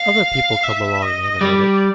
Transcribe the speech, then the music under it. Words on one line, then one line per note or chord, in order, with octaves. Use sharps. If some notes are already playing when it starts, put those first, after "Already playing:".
Other people come along and animate it.
Already playing: F5
E5
D#5
G3 D5